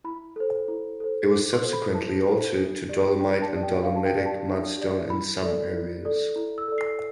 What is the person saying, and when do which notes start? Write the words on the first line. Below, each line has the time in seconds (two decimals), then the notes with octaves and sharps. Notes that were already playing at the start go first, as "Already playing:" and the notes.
It was subsequently altered to dolomite and dolomitic mudstone in some areas.
0.04 E4 B5
0.36 A4 C5
0.68 E4
1.00 A4 C5
1.31 E4 D6
1.53 C6
1.63 A4 C5
1.73 B5
1.95 E4 A5
2.26 A4 C5
2.57 D4
2.89 G4 D5
3.20 D4 G5
3.42 A5
3.53 G4 D5
3.63 G5
3.83 D4 F5
3.96 A5
4.05 G5
4.15 G4 D5
4.26 A5
4.47 D4
4.78 G4 D5
5.10 E4 B5
5.42 A4 D5
5.73 E4
6.05 A4 D5
6.36 E4
6.58 E6
6.68 A4 D5
6.78 C7